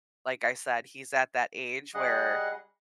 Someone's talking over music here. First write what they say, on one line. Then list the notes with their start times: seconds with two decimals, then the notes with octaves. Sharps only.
like I said, he's at that age where
1.94 G3 G#4 D#5 F#5